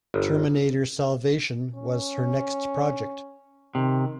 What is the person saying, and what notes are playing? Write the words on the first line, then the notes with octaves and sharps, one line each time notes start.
"Terminator Salvation" was her next project.
G1
C#4
C3 D#3